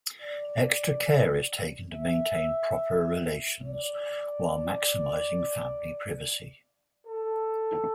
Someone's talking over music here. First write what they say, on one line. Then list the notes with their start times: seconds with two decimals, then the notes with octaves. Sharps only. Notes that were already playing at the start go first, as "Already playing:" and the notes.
Extra care is taken to maintain proper relations while maximizing family privacy.
0.22 D5
1.93 E5
3.64 D5
7.07 A4